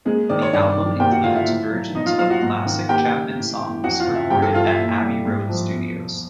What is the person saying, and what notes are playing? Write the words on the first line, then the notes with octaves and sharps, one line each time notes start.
The album includes versions of classic Chapman songs recorded at Abbey Road Studios.
G#3 A#3 G#4
D#3 D5
C#5
G2 D4 D5
D#3
A#3 G4 G5
F#4 F#5
D3 F4 F5
E4 E5
A2
F#3
B2 D#4 D#5
F4 F5
F#3 F4 F5
F#4 F#5
G#2
D#3
A#3 G4 G5
C#3
A2
E3
F2 F#4 F#5
F4 F5
C#3
E4 E5
G2 G4 G5
A4 A5
E3 F4 F5
E4 E5
A#2
G3
G#2
F3
E2
B2